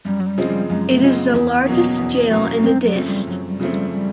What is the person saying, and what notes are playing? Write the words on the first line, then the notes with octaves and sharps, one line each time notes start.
It is the largest Jail in the dist.
F#2 G3
F#3
G3
C#3 F3 G#3 C4
G3
F#2 G#3
A3
C#3 F3 G#3 C4
B3
A#3
E2
B3
B2 F#3 A#3 C#4
E2
B2 F#3 A#3 C#4
F#2 C4
F#3
C#3 F3 A3 C4
G3
F#2 F#3
G3
C#3 F3 A3 C4
G3
G3